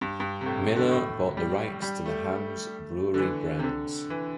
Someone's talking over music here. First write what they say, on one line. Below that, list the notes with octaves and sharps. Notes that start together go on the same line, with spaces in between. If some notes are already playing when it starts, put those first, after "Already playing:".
Miller bought the rights to the Hamm's Brewery brands.
G2
G2
C3
A2
D3
A2
G3
G3
A3
D3
E3
C3
D3
E3